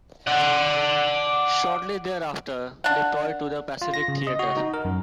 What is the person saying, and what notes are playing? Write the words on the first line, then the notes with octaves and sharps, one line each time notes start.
Shortly thereafter, deployed to the Pacific Theater.
D5 F#5
D4 F#5
F4
A#6
C#3
D#5
F#4
D#4
A#4
F#2